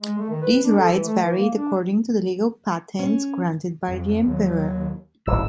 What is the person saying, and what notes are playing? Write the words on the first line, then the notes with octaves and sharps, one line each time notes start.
These rights varied according to the legal patents granted by the emperor.
G#3
A3
D#3
B4
D4
A4
E3
A3
E3
A#3
D4
C#4
F2
D#2 F#3
D1 A1 G#2 E3 E6